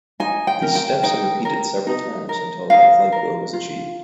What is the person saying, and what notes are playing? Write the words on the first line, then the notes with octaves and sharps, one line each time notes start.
These steps are repeated several times until a lifelike glow is achieved.
D#4 G#5
G5
A#4
G5
D#4 G5
A#4
D#4
A#4
D#4 F5
A#4
F4